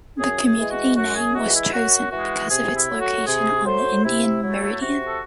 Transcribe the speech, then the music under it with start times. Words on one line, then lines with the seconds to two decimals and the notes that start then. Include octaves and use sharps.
The community name was chosen because of its location on the Indian Meridian.
0.19 F#2 G#4
0.46 G#4
0.59 E3 G#3
0.71 F#4
0.97 F#2 F#4
1.15 G#4
1.34 E3 G#3 F#4
1.54 E4
1.73 F#2 F#4
2.12 E3 G#3 F#4
2.50 C3 G#4
2.76 E4
2.89 F#3 A3
3.01 F#4
3.27 C3 G#4
3.65 F#3 A3 C5
4.04 C3 E4
4.42 F#3 A3 E4
4.81 C3 F#4
5.08 A4